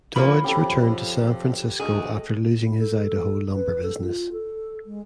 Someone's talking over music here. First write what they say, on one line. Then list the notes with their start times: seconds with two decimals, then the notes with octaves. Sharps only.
Dodge returned to San Francisco after losing his Idaho lumber business.
0.16 F3 A#3 C#4 B5
0.44 F2 F3 C#4 G4 A4
1.80 D2 G#4 A4 D#5
2.62 E4
2.79 A4
3.50 B4
3.83 A4
4.01 F4
4.32 A4
4.86 G#3